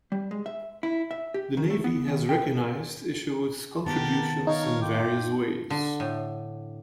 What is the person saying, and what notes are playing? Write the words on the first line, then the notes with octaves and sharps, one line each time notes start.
The Navy has recognized Isherwood's contributions in various ways.
G3
G#3
E5
E4
E5
G4
D#3
A3
B3
D#3
G5
D#3 B3 G4 A#4 A5
D#4 A#4 C#5 F5
F4 G5 D6
D3
A2